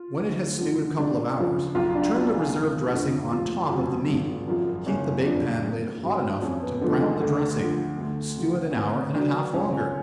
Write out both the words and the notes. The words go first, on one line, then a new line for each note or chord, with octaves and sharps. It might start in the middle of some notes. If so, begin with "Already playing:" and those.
When it has stewed a couple of hours, turn the reserved dressing on top of the meat, heat the bake pan lid hot enough to brown the dressing, stew it an hour and a half longer.
Already playing: F4
D2
D3 F3
C#2 D4
C#3 F3
B1 F4
D4
B2 F#3 F4
G#4
F1
F2 D3 F3
F1 F4
F2 C#3 F#3
G#1
F#2 F3
F#1 C#4
F2 F3 D4
G#1
G#2 F#3
F2 C#4
B3
B3
D3 F3 A3
G#3
D2 A3
D3 F3
D2
C#3 F3
C#4
D2 B3
D3 F#3 D4
C#2 C#4
C#4